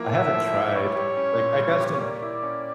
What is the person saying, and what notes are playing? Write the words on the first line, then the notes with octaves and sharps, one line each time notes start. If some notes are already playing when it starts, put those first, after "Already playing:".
I haven't tried. Like, I got some
Already playing: F3 A#3 E4
A2 E5
F3
E4
G3 C#5
G4
C#4
A#2
G3
G4
A#3 D5
E4
C#4